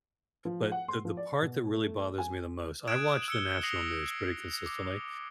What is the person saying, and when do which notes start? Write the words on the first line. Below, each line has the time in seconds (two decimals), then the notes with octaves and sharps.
but the the part that really bothers me the most I watch the national news pretty consistently,
0.45 F3
0.72 F#5
0.88 C6
1.05 F3
1.17 D5
1.42 B2
1.74 A3
2.18 G#5
2.88 D#6 F6 F#6 G#6 D7 E7
3.28 E6 C#7 G7
3.63 D#6 A#6 C7 C#7 F7
4.66 D6